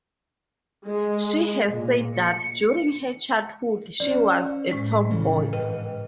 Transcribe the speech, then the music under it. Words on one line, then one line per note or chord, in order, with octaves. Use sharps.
She has said that, during her childhood, she was a tomboy.
G#3
A#2
C#7
C#4 C5 D5
A2 G#3
C#3 E3 A4
G#2 B4 D#5 G5